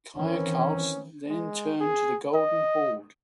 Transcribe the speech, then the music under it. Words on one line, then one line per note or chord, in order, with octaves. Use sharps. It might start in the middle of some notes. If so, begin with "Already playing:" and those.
Kaykaus then turned to the Golden Horde.
D#3 E3 C4 C#4
G#3
G#4
D#5